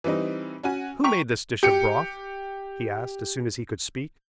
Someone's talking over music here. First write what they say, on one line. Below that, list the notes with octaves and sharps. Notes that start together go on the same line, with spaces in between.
"Who made this dish of broth?" he asked as soon as he could speak.
E3 G3 C4 D#4
C#4 F#4 G#5
G5 A#5 C#6 B6 F7
G4 C#7